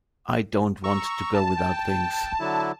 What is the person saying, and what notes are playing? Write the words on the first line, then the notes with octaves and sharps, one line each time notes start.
I don't want to go without things.
A#5 C#6 E6
A5
G5
D3 F#3 E4